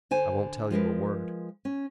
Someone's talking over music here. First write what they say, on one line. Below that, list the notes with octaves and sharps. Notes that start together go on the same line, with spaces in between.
"I won't tell you a word."
D3 C5 G#5
F3 G#3 A#4 B4
C#4